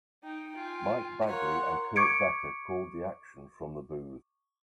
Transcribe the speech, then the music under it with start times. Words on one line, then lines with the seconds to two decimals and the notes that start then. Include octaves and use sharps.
Mike Bagley and Kurt Becker called the action from the booth.
0.23 D#4 G5
0.55 F4 G#5
1.27 A#4 C#5 F5 F#5 A#5 C6
1.96 C#6 D6 G#6 C#7 D7